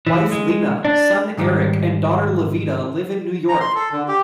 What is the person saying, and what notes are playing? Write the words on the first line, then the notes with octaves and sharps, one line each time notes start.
Wife Lina, son Eric and daughter Levita live in New York.
E3
G#3
D4
G#2 D#3 G3
A#5
C6
A4
D3
G4